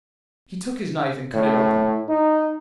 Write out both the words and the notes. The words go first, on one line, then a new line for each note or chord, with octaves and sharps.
He took his knife and cut it open.
A2
D#4